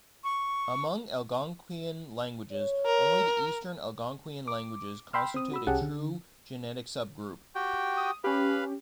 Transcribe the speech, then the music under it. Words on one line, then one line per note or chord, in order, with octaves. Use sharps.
Among Algonquian languages, only the Eastern Algonquian languages constitute a true genetic subgroup.
C#6
C#5
A#4
D6
G5 B5 C6 E6 F6
C4 D#6
F#4 B5 E6
C2 C#4 G4 G#4 F#5 A5
D3
F#4 G4 G5
D#6
C#4 G4 B4 F5 B5